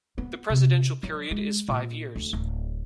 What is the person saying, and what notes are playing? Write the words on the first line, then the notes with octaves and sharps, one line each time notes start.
The presidential period is five years.
B3
C3
F#3
G#3
A#2
D2
D1